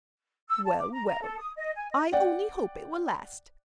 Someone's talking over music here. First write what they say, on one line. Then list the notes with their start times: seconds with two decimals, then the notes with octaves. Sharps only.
Well, well, I only hope it will last.
0.49 E6
0.64 A5
0.78 D6
0.92 A#5
1.06 A#5
1.21 A4
1.38 D#6
1.56 D#5
1.75 G#5
1.91 D#5
2.12 D5 F#5 G5